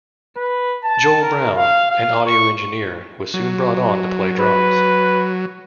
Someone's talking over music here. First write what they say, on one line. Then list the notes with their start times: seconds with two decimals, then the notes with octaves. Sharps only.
Joel Brown, an audio engineer, was soon brought on to play drums.
0.37 B4
0.84 A5
1.22 A#4
1.56 F5
1.91 F5
2.26 C#6
3.34 F#3
4.39 B4